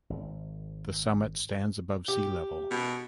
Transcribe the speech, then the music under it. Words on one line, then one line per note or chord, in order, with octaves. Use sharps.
The summit stands above sea level.
G#1
G4
B2